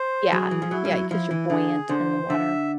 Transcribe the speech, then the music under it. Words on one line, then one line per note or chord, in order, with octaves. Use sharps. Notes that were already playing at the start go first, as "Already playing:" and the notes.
Yeah, yeah, 'cause you're buoyant in the water.
Already playing: C5
F#3 G#4
E3
F3
F#3 E4
G3
F#3
F3 E4
E3
D3 G#4
D3 C5
D3 E5